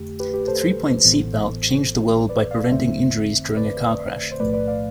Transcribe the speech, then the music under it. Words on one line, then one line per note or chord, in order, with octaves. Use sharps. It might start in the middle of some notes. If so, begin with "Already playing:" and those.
The three-point seat belt changed the world by preventing injuries during a car crash.
Already playing: F2 D3 A3 G4
G4 B4
G4
A4 C5
A4 C5
A1 A2 E3 B3
B4 D5
D5 F5
G1 F2 D3 A3 C4 C5 E5
B4 D5
C5
B1 A2 F3 A3 B4 D5
B4 D5
D5 F5